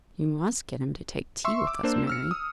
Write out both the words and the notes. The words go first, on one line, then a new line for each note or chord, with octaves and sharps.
"You must get him to take tea with us, Mary."
E5 C6 C#6 E6
D6
A#3 D4 C5 E7
E6 F6 C#7
D#6